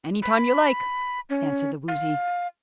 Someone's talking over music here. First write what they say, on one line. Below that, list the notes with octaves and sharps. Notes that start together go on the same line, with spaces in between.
"Any time you like," answered the Woozy.
B5
C#4
F5